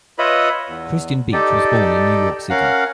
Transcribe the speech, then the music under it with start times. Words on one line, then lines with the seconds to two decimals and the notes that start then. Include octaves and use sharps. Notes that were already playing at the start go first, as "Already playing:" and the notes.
Christian Beach was born in New York City.
0.19 F4 B4 C#5 D#5 E5 B5
0.69 E2
1.33 D#4 G4 A4 D5
2.50 C#4 A#4 F5 F#5